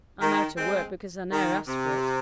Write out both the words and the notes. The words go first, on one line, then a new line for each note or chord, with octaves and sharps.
I'm out o' work because I ne'er asked for it.
D#3
G#3 C4
D#3
C3